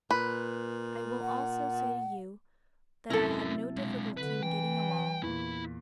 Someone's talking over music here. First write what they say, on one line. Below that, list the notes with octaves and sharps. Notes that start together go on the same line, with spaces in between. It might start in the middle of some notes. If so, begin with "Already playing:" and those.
I will also say to you, that I had no difficulty in getting along.
A#2 B4
F#5
C3 F#3 C#4 E4 A4 A#4
G#3 D4
D3 B4
E3 G5
E2 A#2 E4